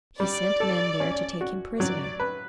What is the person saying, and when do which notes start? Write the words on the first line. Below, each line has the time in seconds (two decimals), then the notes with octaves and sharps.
He sent men there to take him prisoner.
0.20 G3 D5
0.60 A4
1.00 C#4
1.41 F#4
1.80 F#3 D5
2.20 B4